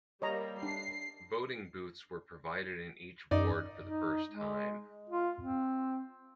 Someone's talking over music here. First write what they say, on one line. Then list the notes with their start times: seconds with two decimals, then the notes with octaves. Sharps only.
Voting booths were provided in each ward for the first time.
0.22 G3 A#3 C#5 D#5 A#5
0.63 D4 C7
3.31 F#2 D#4 D5
3.82 D#4
4.29 G#3
5.10 F4
5.39 C4